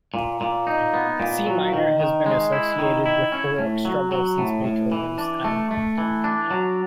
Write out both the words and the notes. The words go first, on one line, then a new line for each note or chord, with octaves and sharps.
C minor has been associated with heroic struggle since Beethoven's time.
A#2
A#2
D#4
B3
A#2
F#3
D#3
D#3
G#3
E4
D#3
E4
C#4
A2
F#3
F#3
A2
A2
E3
D4
A3
A3
E3
D4
F#3